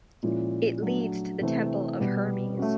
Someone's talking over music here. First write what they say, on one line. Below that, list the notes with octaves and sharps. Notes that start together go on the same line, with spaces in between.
It leads to the temple of Hermes.
A#2 F3 G#3 C#4 E4
F#3 A3 D4
C3 E3 A3 C4
B2 G3 B3
A3 C#4 F#4